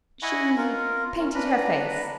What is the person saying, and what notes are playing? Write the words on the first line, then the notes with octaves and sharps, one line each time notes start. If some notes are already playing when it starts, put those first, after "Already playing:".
"She painted her face."
E4 D#5 F#5 G#5 B5 C#6
F4 A#4
C#4 A#4
D4 B4 A#5